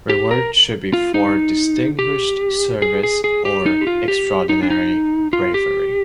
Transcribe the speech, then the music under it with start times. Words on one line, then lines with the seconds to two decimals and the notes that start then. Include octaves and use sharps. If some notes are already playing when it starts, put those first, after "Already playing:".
Rewards should be for distinguished service or extraordinary bravery.
0.09 G4
0.31 A#4
0.93 F4
1.14 D#4
1.99 G4
2.82 G#4
3.03 G#4
3.24 G#4
3.45 G4
3.66 D#4
3.81 G4
3.87 F4
4.08 G4
4.49 D#4
4.63 D4
4.70 D#4
5.33 F4
5.54 G4